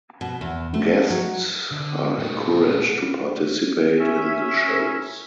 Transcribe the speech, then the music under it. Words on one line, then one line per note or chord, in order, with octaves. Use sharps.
Guests are encouraged to participate in the shows.
B2
E2
A3
F#3
D3
A#2 F#4
C#4 E5